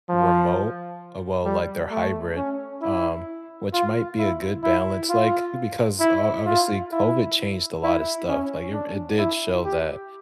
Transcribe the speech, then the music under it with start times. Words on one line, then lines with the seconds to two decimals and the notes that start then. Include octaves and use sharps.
remote. Well, like, they're hybrid, um, which might be a good balance, like because, o obviously, COVID changed a lot of stuff, like, it re it did show that,
0.09 F3
1.45 G3
1.91 A3
2.36 C#4
2.81 E4
3.73 F4
4.19 E4
4.63 E4
5.09 F4
6.00 E4
6.45 F4
6.92 E4
7.83 E4
8.28 C#4
8.73 D4
9.18 E4
9.64 G4